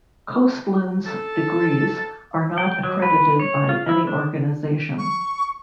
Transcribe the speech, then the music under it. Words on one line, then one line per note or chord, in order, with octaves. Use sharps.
Coastland's degrees are not accredited by any organization.
A4
G5
F#3
B4
C#5
F4
E4
D4
C#6